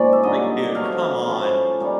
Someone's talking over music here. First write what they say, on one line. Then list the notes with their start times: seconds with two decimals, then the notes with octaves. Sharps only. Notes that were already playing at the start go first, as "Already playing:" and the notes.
like, dude, come on,
Already playing: G#2 F3 A#3 C#4 D5
0.13 E5
0.23 G2 D3 F#3 A#3 D#5
0.75 B2 F#3 A3 C4 F5
1.27 F3 A3 C#4 E4
1.80 A#2 G3 A#3 D#4